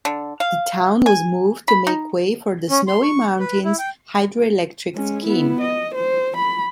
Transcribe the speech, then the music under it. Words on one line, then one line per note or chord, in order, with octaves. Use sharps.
The town was moved to make way for the Snowy Mountains Hydro-Electric Scheme.
D3
F5
G#5
B5
D#4
C#4
C6
C#6
B4
E4
G5
G#3 C#4
B3 E4
D#5
C5
B5